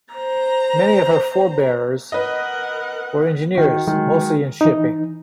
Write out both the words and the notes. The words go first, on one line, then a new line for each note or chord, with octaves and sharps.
Many of her forebears were engineers, mostly in shipping.
C5 A#5
A#4 B4 D#5 F#5
D#3 F#4
D#3 F#3 G#3
E3 D#4